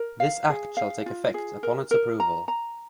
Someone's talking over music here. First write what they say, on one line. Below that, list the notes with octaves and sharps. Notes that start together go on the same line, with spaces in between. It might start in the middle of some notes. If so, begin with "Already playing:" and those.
This Act shall take effect upon its approval.
Already playing: A#4
F5
G#4
F5
F4
G#4
A#4
A#4
A#5
A#5